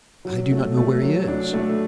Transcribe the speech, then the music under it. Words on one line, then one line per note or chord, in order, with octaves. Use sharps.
"I do not know where he is."
F#3
A3
A3
F#3
D4
A3